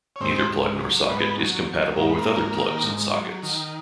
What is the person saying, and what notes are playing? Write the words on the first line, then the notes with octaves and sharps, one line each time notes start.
Neither plug nor socket is compatible with other plugs and sockets.
C#5
G#2 C4 C5
G#2
F#3
G#2 B3 B4
F#3
F#3
G#2 A#4
B4
A#3 A#4
G#2
D#3
G#2
F#3
D#3